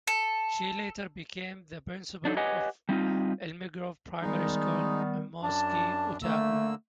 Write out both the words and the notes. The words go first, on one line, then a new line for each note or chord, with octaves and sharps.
She later became the principal of Elmgrove primary school in Mosgiel, Otago.
A4
D4 D#4 A4
G4 B4 C#5 D#5 F#5 G#5
G3 C4 D#4 F4
D#3 G3 G#3 B3 D#4
F#2 D4 A5
D3 A3 A#3 E6